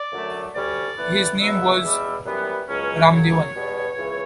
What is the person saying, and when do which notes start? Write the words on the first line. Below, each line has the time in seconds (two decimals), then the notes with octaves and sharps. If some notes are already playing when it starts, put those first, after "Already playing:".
His original name was Ramadevan.
Already playing: D5
0.12 F#2 D3 F#3 A3
0.54 D2 D3 G3 C#4 D5
0.97 A2 E3 B3
1.40 E2 B2 F#3 B3 E5
1.83 E2 B2 G3
2.26 F#2 E3 G3 B3
2.68 C#2 B2 F#3 C#4
3.11 F#2 C#3 F#3 C#5
3.55 E2 B2 G3 B3
3.97 C#2 C#3 E3